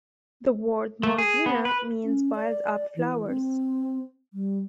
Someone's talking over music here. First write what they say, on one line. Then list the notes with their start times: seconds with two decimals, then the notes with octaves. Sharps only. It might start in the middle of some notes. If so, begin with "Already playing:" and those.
The word "Moribana" means "piled up flowers".
1.03 A3
1.18 G#4
1.46 B3
1.65 B4
2.05 C#4
2.35 D5
2.96 E3
3.27 C4
4.34 G3